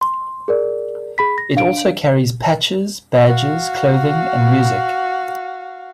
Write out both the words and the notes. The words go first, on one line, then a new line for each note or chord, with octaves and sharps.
It also carries patches, badges, clothing and music.
C6
G#4 A#4 D5
G#4 B5 B6
A#6
D4 F5 D7
F#4 F5